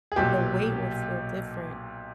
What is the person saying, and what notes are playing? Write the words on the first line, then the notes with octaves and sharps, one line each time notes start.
The weight would feel different.
G#4
B1 A#2 F#3 G4